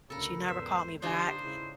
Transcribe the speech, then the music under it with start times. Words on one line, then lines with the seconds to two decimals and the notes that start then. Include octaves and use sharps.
She never called me back.
0.10 D2 C#3 A4 A#4 B5
0.48 E2 G#2 B4 C5 E5
1.02 D3 D4 D#4 F4 G4 C5
1.42 G#2 C#3 E4